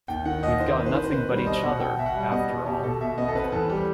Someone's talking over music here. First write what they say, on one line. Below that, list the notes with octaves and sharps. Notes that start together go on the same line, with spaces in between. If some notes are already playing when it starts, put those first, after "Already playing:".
We've got nothing but each other, after all.
D#2 G5
D#3 F#5
D#2 D#5
D#3 C5
C4 B4
C5
D#3 B4
C5
C4 B4
G3
C5
B2 D#5
B2 F#5
B2 G5
B2 E5
F#5
G3
B3 D#5
B2
B2 G4
B2 A4
B2 E5
B3 D#5
A4
C4 B4
B4
E2 A4
G3 G4